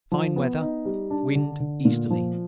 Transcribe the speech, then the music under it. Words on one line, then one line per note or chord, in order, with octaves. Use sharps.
Fine weather: wind easterly.
F3
B3
D#4
G3
D4
D3
D3
A#2
F3